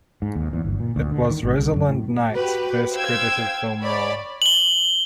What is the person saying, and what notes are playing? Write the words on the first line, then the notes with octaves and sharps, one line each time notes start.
It was Rosalind Knight's first credited film role.
G#2
D#2
E2
G1
A#2
D2
D3
D#3
G#1
C2
F#2
A2
F#4 G4 B4
C5 F5 G5 E6 G#6
C#5 D5 B5
F#7 G7